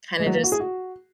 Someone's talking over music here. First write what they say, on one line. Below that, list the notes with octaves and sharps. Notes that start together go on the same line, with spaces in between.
kinda just
G#3
F#3
A#3
F#4
G#4
F#4